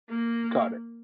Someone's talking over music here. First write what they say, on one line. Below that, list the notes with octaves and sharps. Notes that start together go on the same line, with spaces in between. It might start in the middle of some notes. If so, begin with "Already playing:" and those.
Got it.
A#3